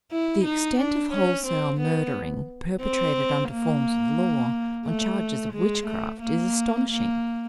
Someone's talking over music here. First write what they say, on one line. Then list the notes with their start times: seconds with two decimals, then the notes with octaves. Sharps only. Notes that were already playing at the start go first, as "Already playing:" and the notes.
The extent of wholesale murdering perpetrated under forms of law, on charges of witchcraft, is astonishing.
0.12 E4
0.45 D#4
0.80 D4
1.13 C#4
1.47 C4
1.81 B3
2.83 C4
3.50 A#3
4.86 A3
5.53 G#3
5.87 A3
6.21 A#3
6.89 A#3